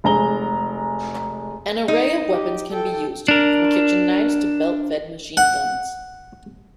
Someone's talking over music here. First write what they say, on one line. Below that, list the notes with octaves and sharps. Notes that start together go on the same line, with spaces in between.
An array of weapons can be used, from kitchen knives to belt-fed machine guns.
F1 G#3 A#5 G7
D#4
G4
A4 G5
D4 A#4
F#5